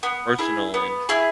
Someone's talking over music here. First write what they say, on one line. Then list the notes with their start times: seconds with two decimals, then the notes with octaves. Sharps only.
personal and
0.03 B3
0.39 E4 G#4
0.74 B3
1.09 E4 G#4